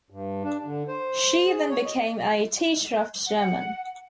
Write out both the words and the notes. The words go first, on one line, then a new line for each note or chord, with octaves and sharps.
She then became a teacher of German.
G2
D4
D3
C5
G#4
C#5
D#5
F#5